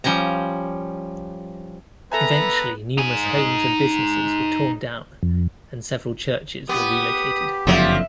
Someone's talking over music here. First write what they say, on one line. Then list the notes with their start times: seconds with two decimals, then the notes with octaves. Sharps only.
Eventually, numerous homes and businesses were torn down and several churches were relocated.
0.04 F3 G3 C#4 A#5
2.12 B3 A4 B4 E5 G#5 A#5
2.98 D#4 G#5
5.23 F2
6.69 B3 G4 D#6
7.67 F#1 F2 D3 F3 F#3 E5